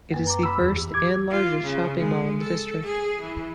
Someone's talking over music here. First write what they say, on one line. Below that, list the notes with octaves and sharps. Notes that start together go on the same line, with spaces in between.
It is the first and largest shopping mall in the district.
F#2 A#3 B4
A#5 D6
B5 E6
E2
G4
D6 G#6
F4
C#3
G#3
A4
G#4
E3